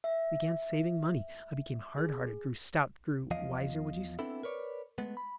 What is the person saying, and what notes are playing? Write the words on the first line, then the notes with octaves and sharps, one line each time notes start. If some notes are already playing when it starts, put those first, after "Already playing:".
I began saving money, I became hard-hearted, grew stout--grew wiser, would you say?
E5
G#4
E2 F3 D#5 F5
B3 C4 D4 E4 A4
A#4 B4 C#5 D5
G#3 A3 B3
B5